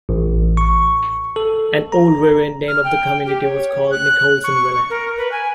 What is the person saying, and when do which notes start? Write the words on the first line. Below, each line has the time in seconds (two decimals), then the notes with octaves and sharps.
An old variant name of the community was called Nicholsonville.
0.09 A1
0.57 C#6
1.36 A4
1.92 A#5
2.68 F6
2.84 G5
3.26 G4
3.43 C#5
3.91 F#6
4.44 C#6
4.90 A#4
5.17 B4
5.32 G#5